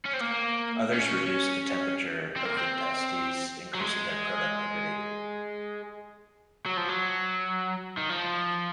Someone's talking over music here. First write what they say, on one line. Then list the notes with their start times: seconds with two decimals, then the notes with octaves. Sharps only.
Others reduce the temperature of the testes increasing their productivity.
0.05 C#4
0.14 C4
0.21 A#3
0.93 C#4
2.37 C4
2.46 A#3
2.57 C4
3.74 F#3
3.80 G#3
6.66 F#3
6.77 F3
6.89 F#3
7.97 D#3
8.10 F3